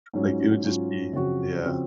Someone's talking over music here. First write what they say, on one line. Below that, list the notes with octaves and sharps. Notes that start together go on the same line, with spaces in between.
like, it would just be Yeah.
G#2 F#3 C#4 F4
G#2 F#3 C#4 F4
F#2 C#3 F3 C4 F#4
C#3 F3 C4 F#4